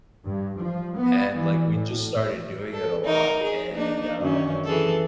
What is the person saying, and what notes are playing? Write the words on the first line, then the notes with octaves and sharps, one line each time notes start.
and, like, we just started doing it a lot and, um,
G2
F3
B3
E3
A2
A4
D#4 A#4
G#4
A#3 D4 D#4
F#2 D#3 C#4
E3 G#4 A4